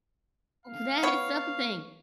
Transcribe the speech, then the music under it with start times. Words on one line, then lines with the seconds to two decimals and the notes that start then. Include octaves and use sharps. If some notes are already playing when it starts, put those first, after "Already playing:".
that is something.
0.66 F5
1.03 B3 C#5